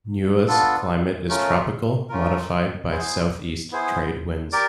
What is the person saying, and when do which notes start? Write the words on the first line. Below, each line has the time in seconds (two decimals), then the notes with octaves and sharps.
Niue's climate is tropical, modified by south-east trade winds.
0.48 B3 D4 F4 A4
1.29 A3 C#4 F4 A#4
2.09 A3 C#4 F4 A#4
2.90 B3 E4 G#4 C5
3.71 B3 E4 G#4 C5
4.52 G4 A#4 D5